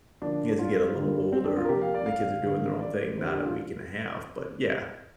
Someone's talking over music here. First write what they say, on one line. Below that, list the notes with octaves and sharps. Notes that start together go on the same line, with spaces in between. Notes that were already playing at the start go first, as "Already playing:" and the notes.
As you get a little older, and the kids are doing their own thing, not a week and a half, but, yeah.
D3 F3 A#3 D4
F4
D3 G3 A#3
C4
D4
F4
A#4
C3 F3 A#3 G4
F5
D5
F5
D3 A#3
D5
D3 F3 A#3 C5
G4
D4
F4